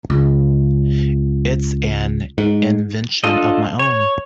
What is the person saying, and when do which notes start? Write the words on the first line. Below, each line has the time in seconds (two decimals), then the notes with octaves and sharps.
It’s an invention of my own.
0.10 C#2
2.38 G#2
3.24 D4 F4 A4 D#5
3.79 C#5